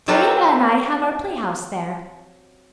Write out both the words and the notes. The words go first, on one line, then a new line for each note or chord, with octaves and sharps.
Diana and I have our playhouse there.
F#3 C4 F4 G4 A4 B4